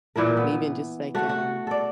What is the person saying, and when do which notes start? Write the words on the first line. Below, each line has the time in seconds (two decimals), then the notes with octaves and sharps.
and, even just, like, um
0.16 A#2 E3 E4 A#4
0.37 B3
1.15 A3 F#4
1.29 F#4
1.67 A4 D5